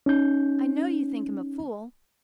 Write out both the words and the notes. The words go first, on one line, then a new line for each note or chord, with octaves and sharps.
"I know you think him a fool."
C#4 D#4 G6